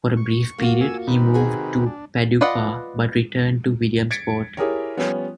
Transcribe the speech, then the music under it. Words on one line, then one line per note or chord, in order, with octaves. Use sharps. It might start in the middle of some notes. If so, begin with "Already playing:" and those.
For a brief period, he moved to Paducah, but returned to Williamsport.
C#6
A#3 F4 F#4
G#5 E6
C3 D#3 B4
F#4 G#4
D4
F4 B4 D5 D#5 F#5
G#6 A6 B6 C#7 D7
E4 G4 G#4 A#4 C#5
F3 G3 B3 C#4 F4 C#5